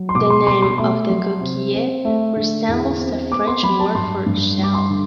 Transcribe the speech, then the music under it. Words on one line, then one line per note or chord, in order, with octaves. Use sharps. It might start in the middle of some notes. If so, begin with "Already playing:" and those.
The name of the Coquille resembles the French word for "shell".
Already playing: F#3
C6
B2 D6
C6
B2 C6
C6
A3 C6
F#3
C3
C4
A3
D3
E2
C4
B3 D6
C6
F#3 B5
A5
G2 C6
G2
G3
D6
C6
D3